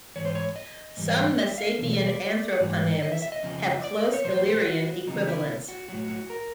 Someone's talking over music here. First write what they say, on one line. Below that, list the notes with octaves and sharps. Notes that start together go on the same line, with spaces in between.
Some Messapian anthroponyms have close Illyrian equivalents.
G#2 E3 C#5
C5
C#5
D#5
G#2 E3 G3
E5
F5
E2 B2 F#3
D#5
D5
G#2 E3 G3
D#5
E5
E5
D#5
F2 C#3 F3
D5
C#5
A#2 F3 C5
C5
F#4
E2 C#3 F#3 D#4
E4
F#4
A2 F#3 F#4
F#4
A#4